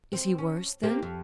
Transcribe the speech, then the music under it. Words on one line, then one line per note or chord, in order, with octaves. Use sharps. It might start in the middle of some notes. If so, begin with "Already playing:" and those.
"Is he worse, then?"
C4
C#4
A#3 C4 G4
F2